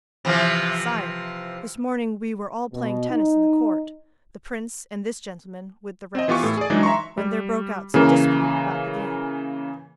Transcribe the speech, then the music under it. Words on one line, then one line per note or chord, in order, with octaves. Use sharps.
'Sire, this morning we were all playing tennis in the court, the prince and this gentleman with the rest, when there broke out some dispute about the game.
C3 E3 F3
B2
D#4
C4 D#5
E3 B3 F4 G4 C#6
A2 A4
G#4 D5
E3 F#3 G#3 D4 D#4
E5 A#5 C6 C#6
G3
C#3 E3 A#3